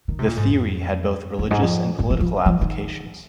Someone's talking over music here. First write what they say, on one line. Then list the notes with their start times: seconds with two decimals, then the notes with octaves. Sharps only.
The theory had both religious and political applications.
0.08 D#3
0.19 C3
0.28 A#2
0.37 G#2
0.47 F2
1.39 F2
1.51 G#2
1.62 F2
2.00 G#2
2.10 F3
2.21 F3
2.46 F3
2.61 D#3